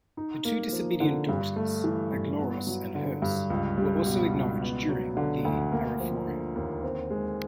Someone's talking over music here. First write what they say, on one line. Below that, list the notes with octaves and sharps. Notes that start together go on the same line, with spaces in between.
The two disobedient daughters, Aglauros and Herse, were also acknowledged during the Arrephoria.
D#4
A#3
F3
D3
G2
A3
E3
G2
B3
F#3
D3
G2
C#2
G3
B2
C#2
B3
F#3
D3
D2
A#3
F3
D3
D#2
C4
G#3